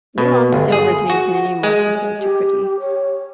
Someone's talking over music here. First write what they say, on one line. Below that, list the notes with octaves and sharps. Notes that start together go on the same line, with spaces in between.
Murom still retains many marks of antiquity.
B2
G1
G#4
F#4
G#3
G4
C#5